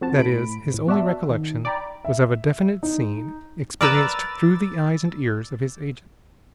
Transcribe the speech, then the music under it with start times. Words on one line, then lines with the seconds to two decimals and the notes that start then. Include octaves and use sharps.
That is, his only recollection was of a definite scene, experienced through the eyes and ears of his agent.
0.01 F2 C4 F#4 A5
0.19 A2 B5 D7
0.74 A2
0.87 B3 F#4 D5 E5 A5
1.29 D#3
1.65 D5 G5 A#5 B5
2.05 E5
2.83 D#4
3.81 A#4 B4 D5 A#5 D6 E6 A6